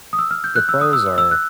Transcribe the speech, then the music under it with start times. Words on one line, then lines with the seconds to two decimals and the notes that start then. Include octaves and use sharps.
the pros are
0.13 D#6
0.19 E6
0.31 F6
0.44 G6
0.56 F#6
0.69 E6
0.81 D#6
0.93 E6
1.18 E6
1.31 F#6